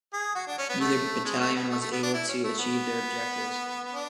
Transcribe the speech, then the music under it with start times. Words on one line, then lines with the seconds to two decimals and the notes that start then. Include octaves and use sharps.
Neither battalion was able to achieve their objectives.
0.13 G#4
0.35 F#4
0.47 D4
0.58 C#4
0.69 B3
0.80 A3
1.25 G#3
1.40 A3
1.54 B3
1.69 A3
1.81 A3
1.91 B3
2.03 D4
2.14 E4
2.29 C#4
2.44 A3
2.58 B3
3.93 D4